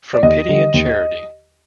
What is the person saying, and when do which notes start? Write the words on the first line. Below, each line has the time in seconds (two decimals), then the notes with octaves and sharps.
From pity and charity!
0.13 D5
0.23 D#2 D#5
0.49 D3 G3
0.74 D#2